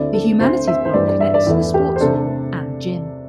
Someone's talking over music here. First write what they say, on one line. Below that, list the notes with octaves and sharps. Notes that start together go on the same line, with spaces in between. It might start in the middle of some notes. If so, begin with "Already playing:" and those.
The Humanities Block connects to the Sports Hall and Gym.
Already playing: D2 D3 A3 C4 E4 D5
A4
D2 D3 C4 E4 C5
E5
C5
G2 E3 G3 D5
D5
E5
D5
E2 E3 A3 E4
G4
C5
C3 A3 D4 A4